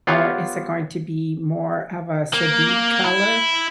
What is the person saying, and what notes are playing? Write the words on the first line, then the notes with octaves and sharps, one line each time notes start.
Or is it going to be more of a subdued color?"
B3 F4 G4 C#5 F5 F#5
A#3
E4